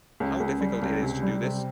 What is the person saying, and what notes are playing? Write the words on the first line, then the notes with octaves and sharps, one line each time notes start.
How difficult it is to do this?
C#2
C#2
G3
C#2
C3
G3
C3